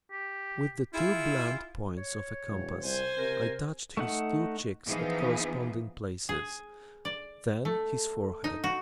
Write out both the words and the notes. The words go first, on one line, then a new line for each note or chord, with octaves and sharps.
With the two blunt points of a compass, I touched his two cheeks at corresponding places, then his forehead.
G4
E4 F4 G#4
C#5
E1
C2 C5 G#5
C3 A#4
A3 D#4 F#5
E3 F3 B3 D#4 G#4
G#4
D5
A3
D#4
F#4